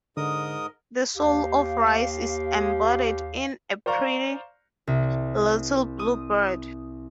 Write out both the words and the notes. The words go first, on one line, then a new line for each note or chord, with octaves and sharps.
The soul of rice is embodied in a pretty little blue bird.
G#2 D3 A#4 D#5 D#6
D#2 G4 F5
C5 D5 F5 A#5 C#6
C2
D#6